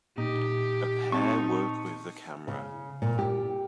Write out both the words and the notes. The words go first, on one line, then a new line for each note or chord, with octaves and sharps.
A pair work with the camera.
A#2 D#4 G4
C4 D#4 A5 C#6
C#3
A#2
G4